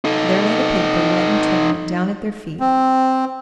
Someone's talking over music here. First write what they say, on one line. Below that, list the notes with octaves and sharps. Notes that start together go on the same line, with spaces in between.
There lay the paper wet and torn, down at their feet.
D#4 A4
C4